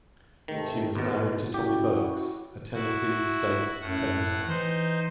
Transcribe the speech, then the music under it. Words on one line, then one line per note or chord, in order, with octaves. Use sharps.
She was married to Tommy Burks, a Tennessee State Senator.
G#2 C3 D#3 A3
D#2 G#2 B2
C#4 E4 F#4 G4
E4 F#4
F#2 A2 F#5
E3 D#4 C5